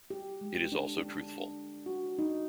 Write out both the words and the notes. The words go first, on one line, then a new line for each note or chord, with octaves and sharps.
It is also truthful.
G4
G#3
D4
D4
F#4
D#4